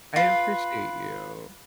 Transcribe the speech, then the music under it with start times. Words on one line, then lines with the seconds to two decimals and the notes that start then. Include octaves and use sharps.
I appreciate you.
0.16 F4 B4